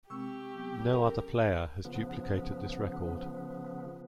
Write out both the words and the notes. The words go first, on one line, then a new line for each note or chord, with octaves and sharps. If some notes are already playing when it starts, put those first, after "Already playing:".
No other player has duplicated this record.
C3 G#3 C4 G4 C#6 E6
F#3 B3
C#4 A4 A#4
C#3 F3 B3